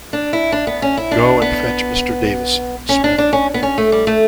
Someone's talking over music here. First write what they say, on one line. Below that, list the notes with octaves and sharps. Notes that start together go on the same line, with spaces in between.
Go and fetch Mr. Davison, Smith.
D4
E4
D4
B3
C#4
E4
D4
B3
C#4
D4
D4
C#4
B3
C#4
A3
G3
A3